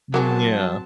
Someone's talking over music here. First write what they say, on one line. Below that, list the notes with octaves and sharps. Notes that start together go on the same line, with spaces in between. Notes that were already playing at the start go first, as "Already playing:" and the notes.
Mm, yeah.
F#3 A#3 C4 F#4 G#4 A5